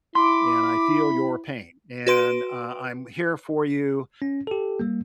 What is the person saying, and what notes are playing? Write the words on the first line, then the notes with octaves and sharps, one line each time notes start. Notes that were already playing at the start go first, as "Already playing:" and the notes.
and I feel your pain and, uh, I'm here for you,
E4 B5 C6 D6
F#4 B4 C6 D7
C#4
G4 A4
G3 A#3